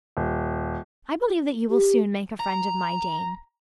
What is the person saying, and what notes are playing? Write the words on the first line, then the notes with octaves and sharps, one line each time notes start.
I believe that you will soon make a friend of my Dane.
D#1
G4
A#5